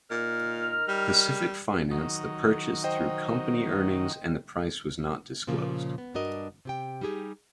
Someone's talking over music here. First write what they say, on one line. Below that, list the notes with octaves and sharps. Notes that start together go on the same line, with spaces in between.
Pacific financed the purchase through company earnings and the price was not disclosed.
A#2 D#4 A#4 F6
G3
D#3 F#3 D#4
C5 D#5 G5
A#2 C#3 F3 A#3
B3
G2 D4 F#4 A#4 D#5
C3 G4 G5
G3 D#4 G4 G#4